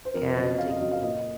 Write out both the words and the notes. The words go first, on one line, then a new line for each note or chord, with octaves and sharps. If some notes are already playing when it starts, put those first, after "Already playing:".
and take the
C5
F2 A#4
C5
C#3 F#3
D#5
F2 F5
D#5
C#3 F#3 D#5
F5
A#2 D#5